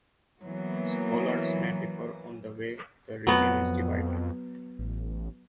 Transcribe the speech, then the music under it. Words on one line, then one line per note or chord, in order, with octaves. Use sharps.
Scholars may differ on the way the region is divided.
E3 F#3 A#3 B3
F2 F#3 B3
A1